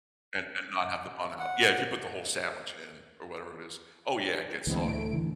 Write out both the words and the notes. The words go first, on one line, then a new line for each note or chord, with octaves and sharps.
and and not have the bun out yeah, if you put the whole sandwich in or whatever it is oh, yeah, it gets soggy,
F#5
D2 E3 G#3 B3 C4
A2 A3 D7
D3 E3